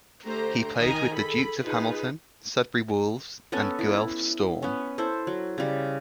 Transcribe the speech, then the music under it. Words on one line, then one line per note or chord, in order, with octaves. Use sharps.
He played with the Dukes of Hamilton, Sudbury Wolves and Guelph Storm.
D3 A3 G4 C5 A#5
D#3 D#5 G#5 A#5
G#4 A4 B5
D#4 F4 G#4 B4
B3 C#4 A4 G#5
E4
B3 C#4
E4 A4 C5
F#3
C#3 G3